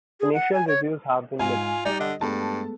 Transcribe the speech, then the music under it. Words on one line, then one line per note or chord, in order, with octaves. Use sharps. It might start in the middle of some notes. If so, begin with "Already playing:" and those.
Initial reviews have been mixed.
G#4
F#5
G#5
C#5
G#2 F4 G#5
G3 D#4 G4 D5
D3 D#5
G2 G#3 A3 B3 A5